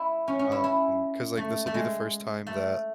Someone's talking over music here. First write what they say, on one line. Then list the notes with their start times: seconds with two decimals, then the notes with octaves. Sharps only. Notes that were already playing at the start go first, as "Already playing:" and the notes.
um, 'cause, like, this will be the first time that
Already playing: E4
0.28 C#4
0.39 C#4
0.52 E4
0.64 E4
1.37 A3
1.67 A3
1.74 G#3
2.47 A3